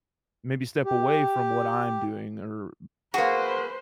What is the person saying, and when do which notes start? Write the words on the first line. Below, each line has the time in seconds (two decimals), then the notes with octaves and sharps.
maybe step away from what I'm doing, or
0.85 G4
3.14 A#3 F#4 G#4 B4 C5